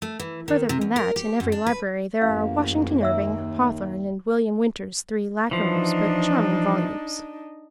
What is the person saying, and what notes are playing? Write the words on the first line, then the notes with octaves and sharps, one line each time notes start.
Further than that, in every library there are Washington Irving, Hawthorne, and William Winter's three lacrimose but charming volumes.
A3
E3
D#3
C3
E2
A#4
G4
F#2
D4
B4
A1 F#2 A#3 F5
D#2 C#5 E5 E6
E3 F3 D4 D#4